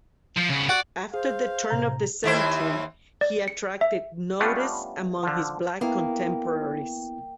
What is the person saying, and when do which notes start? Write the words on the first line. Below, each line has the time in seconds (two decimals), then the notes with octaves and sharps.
After the turn of the century, he attracted notice among his black contemporaries.
0.37 F3
0.50 C#3 B3
0.69 F#4 D5
1.14 G#4 C5 F5
1.70 A2 C3 A#5
2.24 D#2 E4 C5
3.21 D5
3.48 C#7
3.81 E5
4.40 G3 A3 B3 C#4 D4 F4
5.23 D3 F3
5.81 A#3 B3 E4 G5